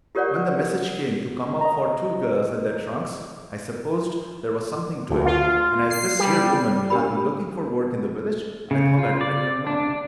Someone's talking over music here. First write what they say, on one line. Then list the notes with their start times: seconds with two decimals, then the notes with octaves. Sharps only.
"When the message came to come up for two girls and their trunks, I supposed there was something doing, and as this here woman had been looking for work in the village, I thought I'd bring her along."
0.15 F4 G4 A#4 C#5 D5 F#5
1.61 D#5 A#5
5.10 D2
5.26 F4
5.91 C7
6.19 G3
6.90 D4 G4 A#4 B5
8.71 C#3
8.99 F4
9.21 D5
9.67 D4